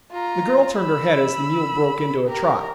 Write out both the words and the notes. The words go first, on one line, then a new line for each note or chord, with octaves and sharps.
The girl turned her head as the mule broke into a trot.
F4 A#5
B5 E6
G4 A#4